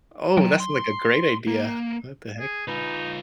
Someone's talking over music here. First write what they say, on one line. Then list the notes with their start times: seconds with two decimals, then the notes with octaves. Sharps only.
Oh, that's, like, a great idea. What the heck?
0.37 F#3 G5 A#5
0.60 C6
1.47 A#3
2.40 G#4
2.68 D#4 F4 B4